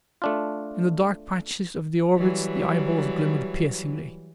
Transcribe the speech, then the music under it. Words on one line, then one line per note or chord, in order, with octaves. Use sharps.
In the dark patches of the orbits the eyeballs glimmered piercingly.
A3 D4 F4
E3 F#3 G3